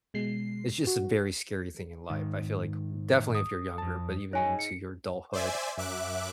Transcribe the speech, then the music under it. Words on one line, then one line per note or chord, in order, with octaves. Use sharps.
it's just a very scary thing in life, I feel like definitely if you're younger, but even into your adulthood.
B2 G#3 C7
F#4
G#2 D#3
D#6
F2 A5
D#4 G#4 C#5 D#5 G#5
C#7
C5 D5 E5 G#5
F#2 E5 D6 F#6